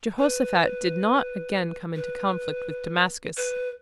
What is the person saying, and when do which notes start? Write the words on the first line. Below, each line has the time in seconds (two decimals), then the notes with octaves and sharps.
Jehoshaphat did not again come into conflict with Damascus.
0.18 B4
1.96 B4
3.37 B4